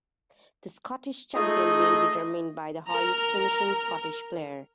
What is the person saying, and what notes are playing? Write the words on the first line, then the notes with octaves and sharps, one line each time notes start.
The Scottish Champion being determined by the highest finishing Scottish player.
A3 D#4 F4 G#4 D#5
A#4 A#5